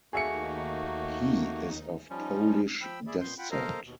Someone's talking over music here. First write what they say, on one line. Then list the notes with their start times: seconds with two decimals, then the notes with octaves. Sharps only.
He is of Polish descent.
0.13 D#2 A3 A#3 D#4 F#4 G#4 E5 C#7
2.10 F3 G3 C#4 D#4
2.82 F3 G5 B5 E6
3.07 G#4 D5 E5 B5
3.21 A#2 B3 C6 G6
3.38 F4 F#5 G5 B5
3.51 A4 A#4 C5 D#5 F5 A#5
3.84 D#2 B2